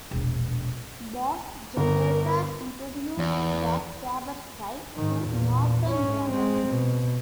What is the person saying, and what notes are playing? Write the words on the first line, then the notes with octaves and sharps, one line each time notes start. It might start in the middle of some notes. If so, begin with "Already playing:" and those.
Bass Generator introduced the gabber style to northern ravers.
E1 A#1
G1 A#4
E2
G#2 D#3
E2 A#2
G#2 C#4
G#3 C4
B2